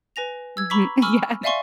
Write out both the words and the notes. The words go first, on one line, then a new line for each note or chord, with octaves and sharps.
Mhm, yeah.
B4 G#5 A#6 F7
E6 G#6
A#5 B5 C#6 D6 E6 B6
G#5 B5 C#6 D6 E6 F6
D5 E5 F5 G#5 C6 C#6